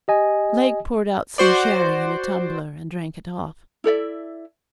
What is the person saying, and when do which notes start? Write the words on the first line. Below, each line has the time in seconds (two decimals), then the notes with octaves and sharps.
Lake poured out some sherry in a tumbler, and drank it off.
0.08 G4 D#5 G#5
1.38 F#4 C5 D5
3.84 E4 A4 D5 E5